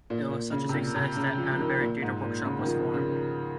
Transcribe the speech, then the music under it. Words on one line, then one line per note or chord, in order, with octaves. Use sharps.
It was such a success that Adderbury Theatre Workshop was formed.
A#2
A#2
C#3
C3
A#2
C3
C#3
F3
F3
D#3
A#2
G#2
A#2
C#3
D#3
F3
C#3